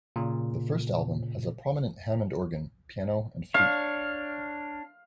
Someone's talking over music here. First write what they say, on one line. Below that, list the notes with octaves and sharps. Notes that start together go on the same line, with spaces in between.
The first album has a prominent Hammond organ, piano and flute.
A#2 C#3
D4 C#5 F5